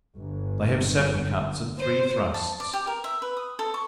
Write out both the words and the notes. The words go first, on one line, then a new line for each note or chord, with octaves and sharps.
They have seven cuts and three thrusts.
G1
C5
A5
D5
G4
A#4
E5
B4
D#6
A4
C#6